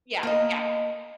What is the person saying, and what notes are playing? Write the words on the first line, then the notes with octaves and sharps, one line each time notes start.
Yeah, yeah.
A#3 D#5